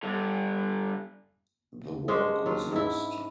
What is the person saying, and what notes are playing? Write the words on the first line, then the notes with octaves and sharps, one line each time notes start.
The work was lost.
G2 D3
G#3 C#4 D4 C5
F#3 F4
G#2 E4